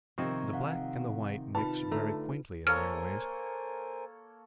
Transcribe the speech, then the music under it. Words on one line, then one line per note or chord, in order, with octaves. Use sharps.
The Black and the White mix very quaintly in their ways.
C3 D#3 F3 C4 D#4 C#6 G#6
F5 F#5
D#4 F4 B4 A5 B5
D3 A3 A#5
A#3 A4 A#4 C5 C#5 G#5 F6